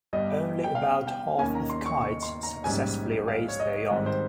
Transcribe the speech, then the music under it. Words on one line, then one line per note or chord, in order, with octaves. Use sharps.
Only about half of kites successfully raise their young.
G1 G2 G3 D#5
G5
F5
G5
D#2 D#3 A#3 C#4 G#5
A#5
C6
C#6
C#6
C6
A#5
A#1 G#2 G3 C#4 G#5
F5
C#5
D#5
G#2 D#3 G3 C4 D#5
C5